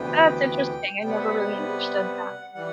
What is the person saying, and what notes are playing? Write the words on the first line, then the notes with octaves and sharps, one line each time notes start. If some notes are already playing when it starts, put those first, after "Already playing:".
That's interesting. I never really understood that.
Already playing: D2 C3 E3 B3 G5
C3 G3 B3 G5
F#5
E5
F#5
E3 G3 F#5